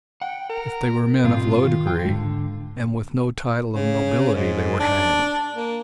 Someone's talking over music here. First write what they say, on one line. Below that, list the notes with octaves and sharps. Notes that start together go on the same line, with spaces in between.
If they were men of low degree and with no title of nobility they were hanged.
F#5 G5
A#4
G#2 B2 G3 G#3 C4 F4
D#3
E2 G5
G#2 D3 G#3
C#3
G#2
D4
A#3